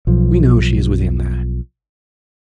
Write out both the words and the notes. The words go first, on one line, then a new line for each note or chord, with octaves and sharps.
We know she is within there.
B1 F3